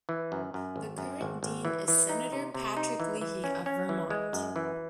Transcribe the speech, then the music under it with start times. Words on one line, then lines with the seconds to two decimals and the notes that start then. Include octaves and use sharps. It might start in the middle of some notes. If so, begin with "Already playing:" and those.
The current Dean is Senator Patrick Leahy of Vermont.
0.09 E3
0.32 F#2
0.54 F#2
0.76 G#1
0.98 F#2
1.21 G#1
1.43 G#1
1.65 E3
1.88 E3
2.09 D#4
2.32 C3
2.54 C3
2.77 D#4
3.00 E3
3.21 E3
3.44 C#4
3.66 C#4
3.89 E3
4.10 G#3
4.33 F#2
4.56 E3